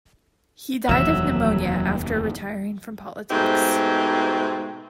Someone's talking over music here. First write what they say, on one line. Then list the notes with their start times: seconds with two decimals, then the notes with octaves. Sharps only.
He died of pneumonia after retiring from politics.
0.89 F1 D#2 E3 F#3 C4 E5
3.30 G#2 B2 A3 C4 D#4 G4